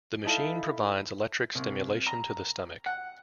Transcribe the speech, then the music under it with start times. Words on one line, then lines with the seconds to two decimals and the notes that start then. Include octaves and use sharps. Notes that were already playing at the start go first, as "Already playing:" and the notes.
The machine provides electric stimulation to the stomach.
0.24 D#4 E4 A4 F5
1.55 C2
2.07 A#5
2.86 F#5